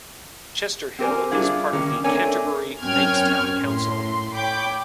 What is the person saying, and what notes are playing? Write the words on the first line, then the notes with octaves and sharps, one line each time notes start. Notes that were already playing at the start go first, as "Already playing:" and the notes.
Chester Hill is part of the Canterbury-Bankstown Council.
C4 G4 A#4 C5 G#5
G3 D4 E4 F4 G4 G#4
D#3 G3 A#3 C#4
A3 C4 D4 A#4 C#5 G#5
F#2 C4 C#4 G5 F6 G#6
A2 C6
C#5 G5 B5 D6 G6